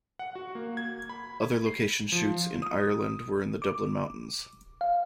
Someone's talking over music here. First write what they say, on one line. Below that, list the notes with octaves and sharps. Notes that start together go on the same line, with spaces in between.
Other location shoots in Ireland were in the Dublin Mountains.
F#5
F#4
A#3
G#6
B5
C7
F3
D#6
D6
F5